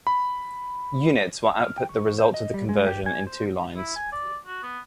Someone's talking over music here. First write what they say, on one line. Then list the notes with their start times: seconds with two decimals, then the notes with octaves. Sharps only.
"Units" will output the result of the conversion in two lines.
0.07 B5
1.61 F6
1.78 G5
1.89 C#6
2.19 C5
2.34 D#5
2.54 G3
2.69 G#3
2.87 G4
3.06 G#5
3.27 C5
3.77 E4
3.96 G#5
4.13 D5
4.46 F#4
4.63 B3